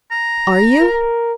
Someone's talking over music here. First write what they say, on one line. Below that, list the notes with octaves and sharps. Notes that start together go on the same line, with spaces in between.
"Are you?"
A#5
A#4